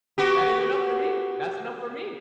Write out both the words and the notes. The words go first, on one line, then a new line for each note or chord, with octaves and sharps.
That is enough for me That's enough for me.
B3 F#4 G4